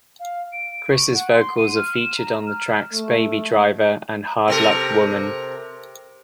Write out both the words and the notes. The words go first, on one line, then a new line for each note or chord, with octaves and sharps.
Criss' vocals are featured on the tracks "Baby Driver" and "Hard Luck Woman".
F5
D7
C#6
F#5
C6
D#7
F6
E7
A#5
F6
A3
C3 A4 A#4